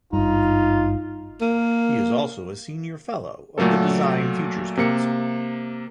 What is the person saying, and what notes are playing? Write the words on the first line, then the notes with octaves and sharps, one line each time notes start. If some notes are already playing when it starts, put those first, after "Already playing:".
He is also a Senior Fellow of the Design Futures Council.
G#1 G2 D#4 F4
A#3
A#2 F#3 A3 A#3 A4
C3 A#3 C#7